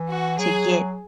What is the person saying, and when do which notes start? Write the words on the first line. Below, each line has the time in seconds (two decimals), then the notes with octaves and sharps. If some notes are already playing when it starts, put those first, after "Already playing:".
to get,
Already playing: E3
0.09 F#4
0.39 F#3 G#4